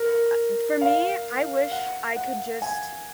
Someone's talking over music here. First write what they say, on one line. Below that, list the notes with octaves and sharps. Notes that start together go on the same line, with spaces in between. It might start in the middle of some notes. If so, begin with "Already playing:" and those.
I for me, I wish I could just n
Already playing: A#4
F5
F#5
F#5
G#5